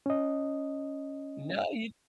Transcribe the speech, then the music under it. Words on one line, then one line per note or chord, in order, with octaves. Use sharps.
No, you
C#4 D#5